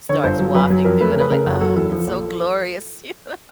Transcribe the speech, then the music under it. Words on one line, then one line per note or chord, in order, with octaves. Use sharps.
starts wafting through and I'm like, "Oh, it's so glorious." You know?
D3 C#5
G1 C5
F#3
F#2 B4
F#3
F2 A#4
A3 B4
C#3 A#4
B4
C#3 A#4
F#1 A4
F#3 A4
E2 A4
F3
A#1